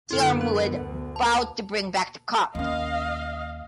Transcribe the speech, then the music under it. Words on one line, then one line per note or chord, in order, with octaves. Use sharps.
Diarmuid vowed to bring back the cup.
F#2 D3 B3 E4 A4
A#4
D2
A5
D#2 C#4 D#5 F5